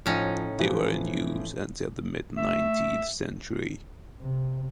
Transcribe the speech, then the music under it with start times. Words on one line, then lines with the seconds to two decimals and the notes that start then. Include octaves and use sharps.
They were in use until the mid-nineteenth century.
0.06 A2 F3 C#4 D#4
0.59 E3 F3 C5
2.37 A3 E5
4.21 C3